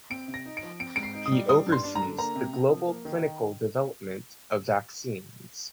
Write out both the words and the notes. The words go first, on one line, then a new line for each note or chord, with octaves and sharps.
He oversees the global clinical development of vaccines.
C4 D7
C3
A#6
D#4
D7
F3
C4 D7
G#2 D7
C7
D#4
D#6
G3
G3 D#6
G2
C6
D4
A#5
D3
A#3 A#5
C3
C3
F3
A#3
D#3
D#3